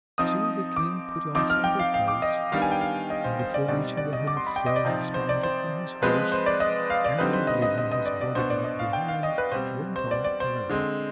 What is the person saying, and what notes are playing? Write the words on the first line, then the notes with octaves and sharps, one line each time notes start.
So the King put on simple clothes, and before reaching the hermit's cell dismounted from his horse, and, leaving his body-guard behind, went on alone.
F3 C4 D#4 D#6
D6
F3 C4 D#4 D6
F6
G5
F5
F5
D6
D#5
D#3 G3 B3 D4 F5
G#5
G5
F5
D#5
C5
C5
D5
B2 G3 C4 D#4 D5
D5
D#5
D6
C6
B5
G5
D#5
D5
C3 F3 C4 D#4
C5
D5
C5
F3 G#3 C4 B4
C5
D5
D#5
F5
D5
D3 G3 C4 D#4 B4
C5
D#5
D#5
D#5
D#5
D5
D5
B2 B3 D4 C5
D5
D#5
F5
G5
F5
D#5
B4
B2 G3 C4 C5
C5
D5
D5
C5
D3 G#3 C4